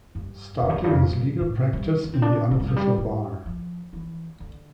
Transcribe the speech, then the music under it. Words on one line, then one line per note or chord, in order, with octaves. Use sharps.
Starting his legal practice in the Unofficial bar.
G2
F2
G2
F2
G2
F2
G2
A2
G3
D4
C4
D4
A3
G3
F3
G3
G3
F3
E3
D3